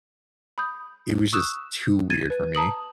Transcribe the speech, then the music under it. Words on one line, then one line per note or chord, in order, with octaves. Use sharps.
it was just too weird for me.
B5 D#6 G6
C#6 D#6 E6 F#6 E7
G#6 A6 D#7
B4
A5 A#5 D#6 F#7